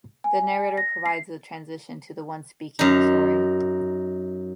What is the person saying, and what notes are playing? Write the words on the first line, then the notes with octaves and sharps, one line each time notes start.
The narrator provides the transition to the one speaking the story.
G#5
A#6
C7
F#2 D#4